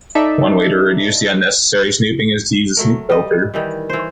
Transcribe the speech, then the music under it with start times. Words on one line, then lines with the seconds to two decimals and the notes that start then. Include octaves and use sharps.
One way to reduce the unnecessary snooping is to use a snoop filter.
0.15 D#4 A4 D5 E5
2.77 F#3 A3 A#4
3.10 G3 D#5
3.54 D#3 E3 G3
3.90 E3 C5